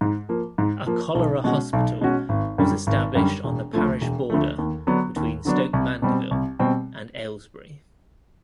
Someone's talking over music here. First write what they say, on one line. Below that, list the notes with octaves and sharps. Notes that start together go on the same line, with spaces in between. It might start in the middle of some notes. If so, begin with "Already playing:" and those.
A cholera hospital was established on the parish border between Stoke Mandeville and Aylesbury.
G#2
F3 A#3
G#2
F3 A#3
B1
B2 G#3 C#4 F#4
B1
B2 G#3 C#4 F#4
G#1
F#2 D3 G3
G#1
F#2 D3 G3
E1
D2 D3 F3 A3
E1
D2 D3 F3 A3
D#2
D3 F#3 B3 D4
D#2
D3 F#3 B3 D4
C2
B2 G3 C4
C2
B2 G3 C4